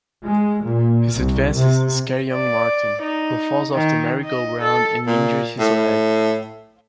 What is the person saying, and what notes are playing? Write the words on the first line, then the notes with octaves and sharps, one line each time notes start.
His advances scare young Martin, who falls off the merry-go-round and injures his leg.
G#3
A#2
C2
C3
D5
D#4
D#3
D#5
A4
A#2
A2